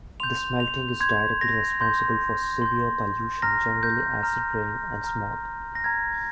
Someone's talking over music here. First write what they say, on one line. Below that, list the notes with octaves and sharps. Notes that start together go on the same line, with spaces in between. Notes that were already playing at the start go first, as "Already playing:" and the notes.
The smelting is directly responsible for severe pollution, generally acid rain and smog.
C6 G6 F7
F7
C6 G6 G#6
A#6
C6 G6
C6 G6
A#5 F6 A#6
G6
A#5 F6
A#5 F6
A#6
A#5 F6 G#6